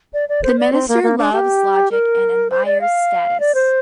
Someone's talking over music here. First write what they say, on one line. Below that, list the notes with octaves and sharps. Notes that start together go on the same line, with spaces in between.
The minister loves logic and admires statis.
D5
D5
C5
D5
C4
A#3
A#3
D4
G4
A#4
C5
D5
F5
D5
C5